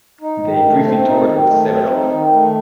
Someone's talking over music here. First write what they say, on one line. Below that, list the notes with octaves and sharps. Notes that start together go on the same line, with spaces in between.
They briefly toured with Sebadoh.
D#4
D#3
A3
C4
D#4
D#3
A3
C4
D#4
D#3
A3